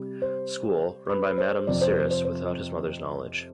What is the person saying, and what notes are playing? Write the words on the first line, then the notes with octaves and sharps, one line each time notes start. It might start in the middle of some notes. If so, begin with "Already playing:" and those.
School, run by Madame Siris without his mother's knowledge.
Already playing: C3 G3
C5
B4
C5
F2 C3 F3 D5
C5
C5
C5
C5